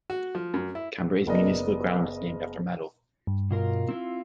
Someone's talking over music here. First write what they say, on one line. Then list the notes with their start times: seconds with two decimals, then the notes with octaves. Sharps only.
Cambre's municipal ground is named after Mallo.
0.10 F#4
0.35 F3
0.54 F#2
0.75 E4
1.27 F#1 B3 A#4 D5 D#5
3.27 G2
3.51 B2 F4 A#4
3.89 C4 E4 F4